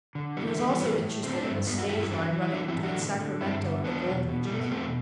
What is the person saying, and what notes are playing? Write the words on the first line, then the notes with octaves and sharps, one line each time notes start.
He was also interested in a stage line running between Sacramento and the gold regions.
D3
E3 G3 B3
A3
E3 A3
G3 B3
A2 G3 B3
A2
D3 C4
D4
G2 A3 C4
G2 B3 D4
D4 F#4
G2 E4 G4
E4 G4
E3 D4 F#4
E3
E4
E3 D4 F#4
C4 E4
A2
D4 F#4
D3
D3
G2 C4 E4
D3
E2 B3 D4
B2
B2
G3
B2 A3
B3
E2 A3 C4